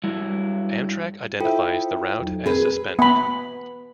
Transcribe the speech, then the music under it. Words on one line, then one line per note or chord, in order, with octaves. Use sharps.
Amtrak identifies the route as suspended.
G2 F#3 G3 E4
E4 F4 A4 C5 E5 G5
E2 F#3 D#4
C4 G#4 A#4 B4
B3 B5